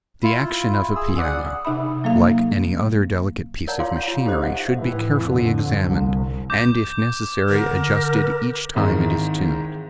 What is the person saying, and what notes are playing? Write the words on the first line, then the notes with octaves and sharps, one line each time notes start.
The action of a piano, like any other delicate piece of machinery, should be carefully examined, and, if necessary, adjusted each time it is tuned.
E4 F4
G#4 E6
D5 F#5 D#6
C3 D#4 E5 B5
F#3 A#3 A4 F5
A#4 C#5 D5 F#5 A5 A#5
F4 F5 C6 D6
C#5
F4
D#4 G4 A4 C5 D#5
D#5 E5 F#5
A2 E3
F2 D3
C2
D6 G6
D3 A#4
G#1 G#2 D#3 E3